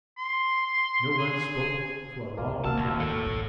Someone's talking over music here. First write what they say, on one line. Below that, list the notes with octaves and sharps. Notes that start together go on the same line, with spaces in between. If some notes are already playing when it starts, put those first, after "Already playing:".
No one spoke for a long time.
C6
G#4
D#2 D3 A#4 D5 F5
G1 A#3 F#4 A5 E6 F6
A1 D#2 A#2
A4 C#5
G1 G#2